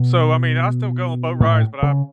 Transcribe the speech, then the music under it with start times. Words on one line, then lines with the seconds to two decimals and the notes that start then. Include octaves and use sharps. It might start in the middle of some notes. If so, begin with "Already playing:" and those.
So, I mean, I still go on boat rides, but I,
Already playing: B2
1.40 A2
1.83 C#3